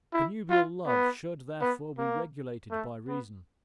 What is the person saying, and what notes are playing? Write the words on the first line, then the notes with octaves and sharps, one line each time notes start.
Connubial love should, therefore, be regulated by reason.
E4
F4
B3
B3
A#3
A3
B3